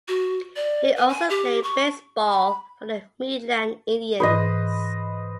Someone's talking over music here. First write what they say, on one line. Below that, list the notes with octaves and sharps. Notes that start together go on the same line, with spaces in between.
He also played baseball for the Midland Indians.
F#4
D5
B4
G#5
G4
C#6
B5
G#2 E3 B4 C5 D#5 D#6